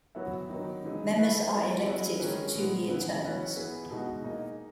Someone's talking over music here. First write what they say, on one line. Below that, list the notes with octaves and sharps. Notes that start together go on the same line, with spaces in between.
Members are elected for two-year terms.
F#3 B3 F#4 C#5 E5
D#3 F#3 B3 D#4
C#3 E3 G#3 D#4
B3 E4 B4 E5
B3 E4 G#4 D#5
F#3 C#4 E4 G#4 D#5
D#3 G#3 C#4 G#4 B4
A#2 G#3 B3
C#3 E3 B3 E4
F#3 C#4 E4 B4
B3 E4 G#4 B4
B2 G#3 D#4 F#4
A#3 D#4 G#4 D#5